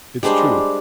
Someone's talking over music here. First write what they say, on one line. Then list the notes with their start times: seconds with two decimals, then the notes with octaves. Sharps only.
"It's true."
0.23 G3 G#3 D4 C5